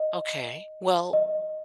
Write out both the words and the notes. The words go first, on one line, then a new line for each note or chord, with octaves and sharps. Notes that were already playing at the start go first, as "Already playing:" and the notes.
Okay. Well,
Already playing: D#5
D#5